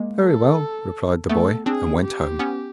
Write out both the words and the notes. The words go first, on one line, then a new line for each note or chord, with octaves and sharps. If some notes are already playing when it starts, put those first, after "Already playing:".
'Very well,' replied the boy, and went home.
Already playing: G#3 A#3
A4
A3 B3 A4
C4 D4 G#4
G4
B3 C#4